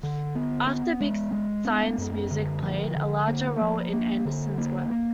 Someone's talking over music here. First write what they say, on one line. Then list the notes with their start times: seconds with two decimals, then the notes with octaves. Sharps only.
After "Big Science" music played a larger role in Anderson's work.
0.03 D3
0.35 B3
0.67 B3
1.00 G#3
1.32 G#3
1.65 B3
1.98 F#2
2.31 D3
2.63 F3
2.96 D3
3.28 A#3
3.61 F3
3.93 A#3
4.25 D3
4.58 A#3
4.91 A#3